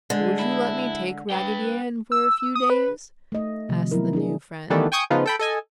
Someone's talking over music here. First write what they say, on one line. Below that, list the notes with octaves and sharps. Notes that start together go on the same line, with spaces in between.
"Would you let me take Raggedy Ann for a few days?" asked the new friend.
D3 G#3
E4
B4 G5
E6
D#6
B4
A3 D#5
C3 D#3 F3 A3
F#3 B3 E4 A#4
D4 E4 G#4
D#3 E3 G3 A3 B3 D4
G5 G#5 C#6 D#6 G6
C#3 F3 B3 D#4 F4
A4 G5 B5
A4 D#5 G#5